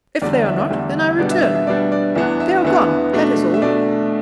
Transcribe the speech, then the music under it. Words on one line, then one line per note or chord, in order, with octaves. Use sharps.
If they are not, then I return. They are gone, that is all.
E2 D3 G3 D5
D5
E5
E5
E2 D3 G3
B2 G3 B3 D4 D5
E5
E5
E5
B2 G3 B3 D4 D5
D5
E2 E3 B3 D4 E5
E5
E2 E3 B3 D4 E5
B2 A3 D4
E5
B2 A3 D4 D5